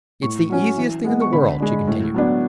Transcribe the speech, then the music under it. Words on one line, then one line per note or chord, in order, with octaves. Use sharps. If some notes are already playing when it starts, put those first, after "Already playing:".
"It's the easiest thing in the world," she continued.
A2 C#6
F#3 C#4
E3
G#3 B3
C#6
D3 B5
G#3 D4
A2
F#3 B3 D4